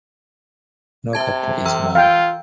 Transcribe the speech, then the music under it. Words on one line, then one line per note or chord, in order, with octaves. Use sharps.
The capital is Mao.
C3 E5 A5 G#6
E3 A#5 E6
F4 F5 G5